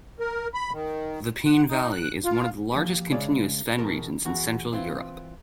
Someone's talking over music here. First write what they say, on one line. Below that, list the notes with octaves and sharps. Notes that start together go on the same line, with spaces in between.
The Peene Valley is one of the largest contiguous fen regions in central Europe.
A#4
B5
D#3
F#5
D#4
F#6
F4
F3 A#3 G4
C#3 G#3 C#5 D5
E2 B2 A4 A#4
E2 F#4
E3 C4 E4 F4